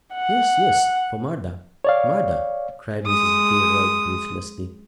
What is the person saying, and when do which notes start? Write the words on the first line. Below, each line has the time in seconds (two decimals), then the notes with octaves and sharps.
"Yes, yes! for murder--murder!" cried Mrs. Gilroy, breathlessly.
0.15 F#5
1.85 C#5 D5 F5
3.05 G#3 D#6